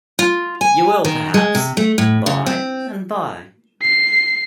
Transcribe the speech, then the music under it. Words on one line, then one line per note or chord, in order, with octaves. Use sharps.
You will, perhaps — bye and bye.
F4
G#5
D#3
G#3
C3
A3
A2
C#3
C4
C7